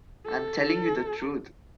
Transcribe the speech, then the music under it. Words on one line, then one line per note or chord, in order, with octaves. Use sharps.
I am telling you the truth.
A4